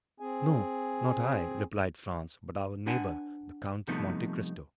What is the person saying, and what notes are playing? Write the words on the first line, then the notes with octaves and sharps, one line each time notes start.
"No, not I," replied Franz, "but our neighbor, the Count of Monte Cristo."
C4 G#4 G#5
D4 B4 F#5 G#5
C3 F3 G3 A3 B3 D#4